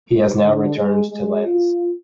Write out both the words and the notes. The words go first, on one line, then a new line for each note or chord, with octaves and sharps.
He has now returned to Lens.
D3
G#3
G#3
F4